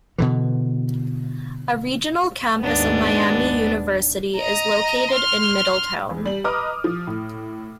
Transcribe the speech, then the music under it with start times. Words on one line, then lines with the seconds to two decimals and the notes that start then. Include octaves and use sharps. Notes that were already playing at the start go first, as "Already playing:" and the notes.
A regional campus of Miami University is located in Middletown.
0.18 B2 D3 E3
2.60 D#2 G#2 G#3 B3 D4
4.36 D#5 A#5
5.12 C6 F6
6.10 E2
6.25 G3 F#7
6.44 B4 D#5 A#5 D6 D#6 F6
6.84 F3
7.07 A2